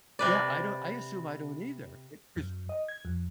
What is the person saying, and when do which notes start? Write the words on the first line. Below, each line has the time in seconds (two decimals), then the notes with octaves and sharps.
Yeah, I don't I assume I don't either. It 'cause
0.19 C3 B4 D5
2.36 F#2
2.69 D#5
2.88 G#6
3.05 F2